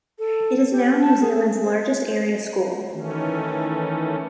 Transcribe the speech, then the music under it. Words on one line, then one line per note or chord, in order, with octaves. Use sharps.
It is now New Zealand's largest Area School.
A4
G4
A5
G#4
C5
D#3 E3 A3 C#4